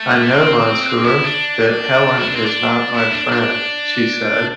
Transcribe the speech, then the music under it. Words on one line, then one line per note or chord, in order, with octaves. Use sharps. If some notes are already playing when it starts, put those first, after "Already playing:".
"I know, monsieur, that Helene is not my friend," she said.
Already playing: A3
C4
E4
D4
E4
D4
C4
D4
E4
D4
D4